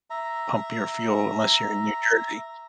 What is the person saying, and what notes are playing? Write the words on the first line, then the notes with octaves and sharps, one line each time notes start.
pump your fuel, unless you're in New Jersey.
E5 A#5